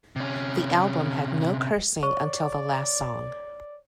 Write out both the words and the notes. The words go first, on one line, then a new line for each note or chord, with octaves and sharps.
The album had no cursing until the last song.
C3 C#4
C#5 D5 C#6